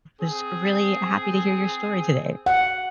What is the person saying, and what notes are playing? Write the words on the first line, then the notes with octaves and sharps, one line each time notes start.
was really happy to hear your story today.
C4 G#4
F#5